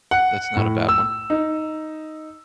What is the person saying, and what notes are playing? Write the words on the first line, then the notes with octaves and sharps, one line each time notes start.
That's not a bad one.
F#5
A2
E6
D#4